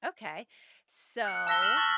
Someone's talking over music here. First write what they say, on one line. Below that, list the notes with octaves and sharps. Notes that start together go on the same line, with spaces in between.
Okay. So,
F#6 C#7
A5 E6 A#6 B6 G7
F6 E7 F#7
A5 C#6 A6